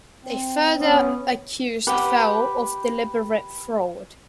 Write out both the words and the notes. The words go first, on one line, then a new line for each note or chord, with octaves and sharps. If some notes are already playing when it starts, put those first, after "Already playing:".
They further accused Fell of deliberate fraud.
C4
B3 C#4
G4 B4 F#5